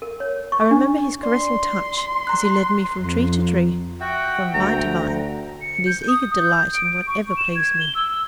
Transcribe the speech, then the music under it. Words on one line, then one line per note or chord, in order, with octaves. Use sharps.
I remember his caressing touch as he led me from tree to tree, from vine to vine, and his eager delight in whatever pleased me.
A#4
C#5
C#6
D4
D5 C6
A#5 F#6
F2
F#4 E5 F#5 G5
D2 A#5
C#7
G6
D#6
G6
D7
C#6
E7
G#6
G7
E6